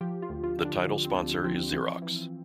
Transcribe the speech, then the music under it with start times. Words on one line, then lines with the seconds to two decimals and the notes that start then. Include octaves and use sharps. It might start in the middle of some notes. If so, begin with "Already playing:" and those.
The title sponsor is Xerox.
0.01 F3 G4
0.22 F4
0.30 D2
0.44 F4
0.59 D3
0.65 D4
0.87 D3
1.05 C4
1.15 D2 D4
1.44 F3 C4
1.73 E3 C4
2.02 E3